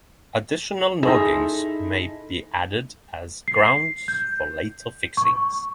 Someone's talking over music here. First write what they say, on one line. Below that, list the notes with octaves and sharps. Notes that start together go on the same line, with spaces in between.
Additional noggings may be added as grounds for later fixings.
D#4 E4 G#4 A4 C6 A#6
C7
G6
C#6